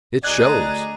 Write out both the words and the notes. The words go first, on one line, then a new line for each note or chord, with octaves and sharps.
It shows.
D2 G#4 D5 D#5 A#5 F#6 G#6